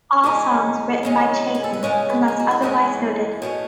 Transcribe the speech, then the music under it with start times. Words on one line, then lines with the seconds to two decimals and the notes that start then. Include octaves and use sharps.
All songs written by Chapin unless otherwise noted.
0.24 E2 C#3 G#3 C#4 G#4
1.03 E2 C#3 G#3 C#4
1.55 G#4
1.64 A4
1.73 B4
1.83 E2 C#3 G#3 C#4 C#5
2.10 B4
2.28 G#4
2.40 F#4
2.51 E4
2.62 E2 C#3 G#3 C#4 D#4
3.42 B2 A3 C#4